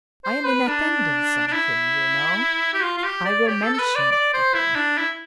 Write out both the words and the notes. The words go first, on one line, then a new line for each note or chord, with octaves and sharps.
I am in attendance on him, you know; I'll mention it to him.
C5
B4
D4
D4
E4
G4
F4
F4
G4
D5
G4
A4
A4
B4
D5
D5
C5
E4
D4
E4